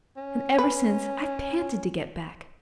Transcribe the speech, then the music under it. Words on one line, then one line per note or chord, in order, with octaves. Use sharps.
And ever since, I've panted to get back.
C#4
B4